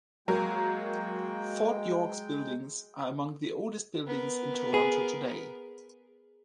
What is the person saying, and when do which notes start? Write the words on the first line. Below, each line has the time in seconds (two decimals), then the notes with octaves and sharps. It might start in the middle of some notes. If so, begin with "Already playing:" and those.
Fort York's buildings are among the oldest buildings in Toronto today.
0.28 F#3 G#3 A#3 F#4 A#4 G5
4.07 B3 A#4
4.74 G#4